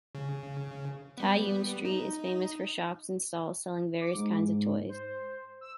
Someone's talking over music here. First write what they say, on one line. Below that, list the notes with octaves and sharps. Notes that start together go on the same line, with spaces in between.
Tai Yuen Street is famous for shops and stalls selling various kinds of toys.
C#3
G3 B3
D#4
D6
G#2
C5
E6